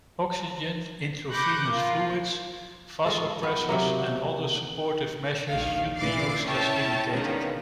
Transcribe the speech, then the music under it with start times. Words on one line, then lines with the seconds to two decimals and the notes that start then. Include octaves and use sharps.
Oxygen, intravenous fluids, vasopressors and other supportive measures should be used as indicated.
1.32 B5 C#6 D6 F#6 G6 A#6
1.69 A#3 F4
3.06 G#3 F4 A4
3.43 B3
3.69 C3 F#3 A#3
5.48 A#1 D#2 D#3 F5
5.96 A#2 E3 D6 A6 C7
6.43 C#4 E4 C#5 G5 A5
7.10 D3 D#3 G#3 A#3 B3 C#4